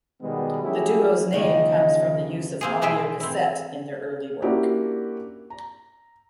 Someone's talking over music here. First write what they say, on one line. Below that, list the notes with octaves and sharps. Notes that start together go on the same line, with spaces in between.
The duo's name comes from the use of audio cassette in their early work.
B2 D#3 G3 G#3 B3
F#3 A3 C#4 E4 G4 G#4
D#2 C#3 F3 D#5
A#3 C4 G#4
B2 E3 G#3 G#4 E5 G5
C4 E4
A#3 C#4 D4 E4 F#4 G4
A#5